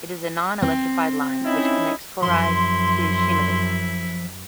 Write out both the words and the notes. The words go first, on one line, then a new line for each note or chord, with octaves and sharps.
It is a non-electrified line which connects Toride to Shimodate.
C4
C#4 D#4 E4
F#2 F3 E4 C6